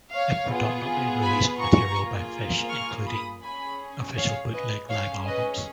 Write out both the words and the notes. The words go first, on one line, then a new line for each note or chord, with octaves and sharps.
It predominantly released material by Fish, including 'official bootleg' live albums.
C#5 F5
B3 F4 G#4
G#5 B5
A#5 C#6
A#3 F4 G#4
C#6 F6
B5 D#6
C#4 G#4 G#5 B5
C#5 F5
B4 D#5
C#4 G#4 C#5 F5
B4 D#5